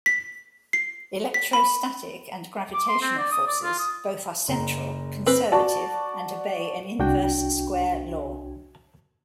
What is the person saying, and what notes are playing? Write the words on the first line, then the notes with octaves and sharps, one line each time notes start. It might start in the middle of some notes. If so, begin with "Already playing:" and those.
Electrostatic and gravitational forces both are central, conservative and obey an inverse-square law.
B6
C7
B6
B5
D6
C6
C4
D5
D#6
D5
F4
D#6
F#1 A#5
C4 B4
F#4 D5 A5
C2 D4 F#4 G5